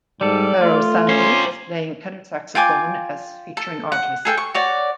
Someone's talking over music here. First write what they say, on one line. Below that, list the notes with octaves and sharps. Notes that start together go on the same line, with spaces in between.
Pharoah Sanders is playing tenor saxophone as featuring artist.
G#2 G3 A4 D5
A3 F4
C2 C#4 C5
F4 G5 G#5 D6
A4
F#5
G#4 A4 G5
C#6
F#4 C#5 D5